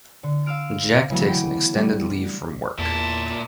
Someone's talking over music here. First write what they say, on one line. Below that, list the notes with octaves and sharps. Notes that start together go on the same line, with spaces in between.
Jack takes an extended leave from work.
D3
F5 E6 F6 D7
C#3 E3 F#3 A3 B3
G5
G3 D4
E2 A#2 E4 A5